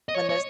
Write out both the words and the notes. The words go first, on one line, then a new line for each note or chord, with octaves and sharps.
When those
D#5
C#5
C#5